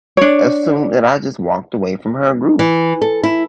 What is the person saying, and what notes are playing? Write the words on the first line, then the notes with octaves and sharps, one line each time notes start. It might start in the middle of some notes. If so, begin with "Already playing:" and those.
assumed that I just walked away from her group
D4 C#5
E3
A4
E4